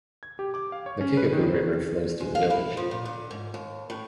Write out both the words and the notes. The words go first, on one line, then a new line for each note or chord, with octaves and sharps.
The Kickapoo River flows through the village.
G#6
G4
D6
F5
C#5
C#4
B4
D#3
C5
G#3
F5
E4
F3
A#2
D3
G#2
D#2
A2